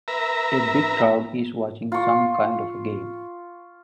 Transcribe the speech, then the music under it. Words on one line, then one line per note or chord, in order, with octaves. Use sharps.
A big crowd is watching some kind of a game.
A#4 B4 E5 A#5
F4 C#6